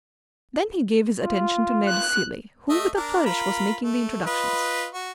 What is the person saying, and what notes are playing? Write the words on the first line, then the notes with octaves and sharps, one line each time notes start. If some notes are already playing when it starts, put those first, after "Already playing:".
Then he gave his attention to Ned Cilley, who with a flourish was making the introductions.
F4
F#6
A3 D#5 E5
D4 A#4
F4 A#4 B5
A3
F4 B4 D#5
F#4